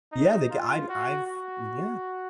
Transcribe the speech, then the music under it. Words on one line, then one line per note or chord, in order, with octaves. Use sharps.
Yeah, the g I'm I've Yeah.
D#4
F4
F#4
F#4